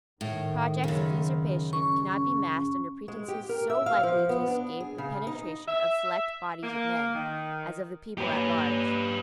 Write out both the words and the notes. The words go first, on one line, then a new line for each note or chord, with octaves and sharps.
Projects of usurpation cannot be masked under pretenses so likely to escape the penetration of select bodies of men, as of the people at large.
A2 D#3
F#2 C#3
C#4 C#6
G#3
G4
A#4
E5
F5
F3
B3
D4
G#4
C#3
D#4
E5
A#3
D#3
A#3 G4 B4 C#5 G#5